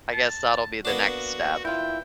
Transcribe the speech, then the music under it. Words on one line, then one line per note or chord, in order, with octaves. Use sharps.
I guess that'll be the next step.
A5
A#3 B3 D4 F#4
E4 F4 G5